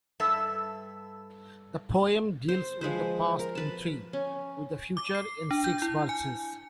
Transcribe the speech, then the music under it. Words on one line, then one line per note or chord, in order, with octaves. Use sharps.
The poem deals with the past in three, with the future in six verses.
G2 A4 E5
C5
F3 G#3 B4 C5
A#4
B4 A5
C#4
D6
C7
D4
G6
E4
G#5